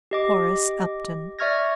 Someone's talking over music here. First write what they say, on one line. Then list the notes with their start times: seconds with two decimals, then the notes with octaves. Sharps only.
Horace Upton.
0.11 G4 D#5 D6
1.39 D5 E5 C#6 F6 G#6 A#6